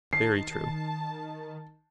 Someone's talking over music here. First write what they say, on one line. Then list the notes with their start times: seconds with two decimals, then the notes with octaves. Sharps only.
Very true.
0.13 D#3 A5 C7